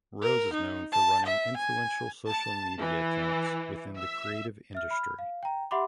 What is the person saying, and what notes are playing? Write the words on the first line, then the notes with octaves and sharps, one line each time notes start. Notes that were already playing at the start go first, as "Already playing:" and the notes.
Rose is known for running influential social media accounts within the creative industry.
A#4
D#4
A5
E5
G#5
A5
E3
E5
E5 F6
B5 F6
F5
G5 A#5
G4 E5 F#5 B5 C6 D6